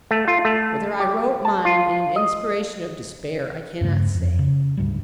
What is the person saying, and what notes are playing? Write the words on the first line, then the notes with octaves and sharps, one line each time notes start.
Whether I wrote mine in an inspiration of despair, I cannot say.
A3
F4
A3
G4
A5
F4
D#5
E2 G2 C#3 A3
F2
C#3
D2 G#2 G3